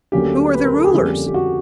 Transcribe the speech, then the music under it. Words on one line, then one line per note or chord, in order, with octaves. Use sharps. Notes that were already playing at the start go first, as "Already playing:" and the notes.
Who are the rulers?
D2 D3 F#3 A#3 C#4 G4
B4
A#4
A4
G#4
F2 D3 G3 A#3 C#4 G4
G4
F#4